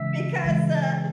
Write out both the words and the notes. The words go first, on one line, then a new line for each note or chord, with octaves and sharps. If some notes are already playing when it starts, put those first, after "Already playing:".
Because, uh,
Already playing: C#3 E3 G#3 E5
C#3 E3 G#3